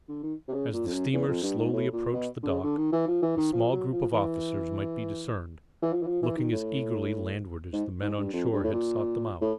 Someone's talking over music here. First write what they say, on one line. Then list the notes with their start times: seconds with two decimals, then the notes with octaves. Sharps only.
As the steamer slowly approached the dock, a small group of officers might be discerned, looking as eagerly landward as the men on shore had sought them out.
0.08 D3
0.23 D#3
0.48 C3
0.53 C#3
0.73 A#2
0.87 F2
0.93 F#2
1.13 E2
1.28 F2
1.43 G2
1.58 G#2
1.73 A2
1.93 A#2
2.14 B2
2.43 D3
2.48 C#3
2.63 D3
2.77 D#3
2.93 E3
3.08 F3
3.22 E3
3.37 D#3
3.53 F3
3.72 F#3
3.92 F3
4.13 E3
5.82 E3
5.93 F3
6.02 E3
6.07 F3
6.23 E3
6.37 D#3
6.52 A2
7.73 G#2
8.02 G#2
8.18 G2
8.33 F2
8.53 G2
8.64 A2
8.73 A#2
9.41 A2